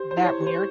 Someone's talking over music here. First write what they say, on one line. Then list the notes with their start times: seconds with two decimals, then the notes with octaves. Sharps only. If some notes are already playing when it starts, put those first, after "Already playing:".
Isn't that weird?
Already playing: G4 C5
0.11 C5
0.17 E4
0.24 C#5
0.29 C5
0.41 G4
0.47 C5